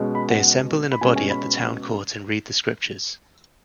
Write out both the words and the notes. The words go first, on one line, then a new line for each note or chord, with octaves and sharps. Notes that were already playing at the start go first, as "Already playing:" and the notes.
They assemble in a body at the Town Court and read the scriptures.
Already playing: B2 G#3 C#4
B5
F#5
B5
B2 G#3 C#4 G#5
G#5
B5